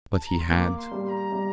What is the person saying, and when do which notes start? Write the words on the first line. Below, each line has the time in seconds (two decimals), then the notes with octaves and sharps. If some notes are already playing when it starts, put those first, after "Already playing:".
But he had.
0.12 A5
0.25 A#5
0.38 C6
0.50 A#3 D6
0.77 C6
0.91 G3
1.04 C6
1.09 A#5
1.32 G3